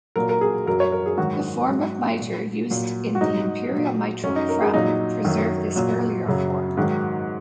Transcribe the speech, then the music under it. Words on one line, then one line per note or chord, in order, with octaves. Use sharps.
The form of mitre used in the imperial mitral crown preserved this earlier form.
A#2 F#3 A#4
A#4
G#4
F#2 F#3 A#4
C#5
A#4
G#4
G#2 D#3 F#3 F#4
G#2 F#3
A#2 F#3
A#2 F#3
F#4
G#2 F#3 D#4
A#2 F#3
F#2 F#3 C#4
D#4
A#4
G#4
A#2 F#3 D#4
F#2 D#3 F#3
A#2 F#3
F#2 C#3 F#3
G#2 D#3 F#3